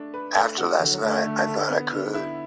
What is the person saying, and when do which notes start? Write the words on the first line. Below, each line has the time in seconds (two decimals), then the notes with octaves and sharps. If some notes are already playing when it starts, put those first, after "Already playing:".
After last night, I thought I could.
Already playing: A3 D4
0.14 B4
0.35 A3
0.58 D3 F#4
0.69 E3
0.79 D3 E3
0.91 F#3
1.02 D3 A3
1.25 D3
1.47 D3
1.69 B3
1.92 D3
2.14 E4